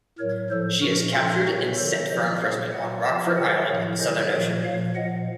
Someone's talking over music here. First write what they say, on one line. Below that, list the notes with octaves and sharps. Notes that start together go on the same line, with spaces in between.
She is captured and sent for imprisonment on Rockfort Island in the Southern Ocean.
A2 F#3 A#4 C#5
A2 F3 A4 C5
A#2 F3 F#4 A#4
A#2 F3 F4 A4
A#2 F#3 F#4 A#4
C3 D#3 F#3 A4 C5
C3 F3 C5 D#5
A#2 F#3 C#5 F5
A#2 F#3 D#5 F#5
C3 F3 F5 A5
C3 D#3 F#3 D#5 F#5
A2 F3 C#5 F5
C3 D#3 F#3 C5 D#5
A#2 F3 A#4 C#5
A#2 F3 C#5 F5
A#2 F3 D#5 F#5